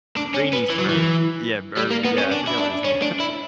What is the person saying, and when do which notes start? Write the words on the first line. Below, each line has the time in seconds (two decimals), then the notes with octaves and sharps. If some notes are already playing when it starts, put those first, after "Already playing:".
Brainy Smurf, yeah, br yeah, I forgot what his name
0.17 D4
0.34 C#4
0.53 B3
0.70 E3
0.79 F#3
0.89 E3
1.77 G3
1.91 A#3
2.05 B3
2.18 C#4
2.31 D4
2.47 E4
2.58 D4
2.85 C#4
3.02 D4
3.20 E4